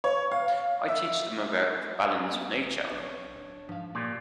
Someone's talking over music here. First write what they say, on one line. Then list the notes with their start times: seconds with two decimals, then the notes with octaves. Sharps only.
I teach them about the balance of nature.
0.04 C#5
0.32 F5
0.88 E5
2.33 B3
2.53 G1 B4
2.92 B1 D4 C#5
3.35 D1
3.69 G#2 F3 F5
3.95 A#2 G4 D5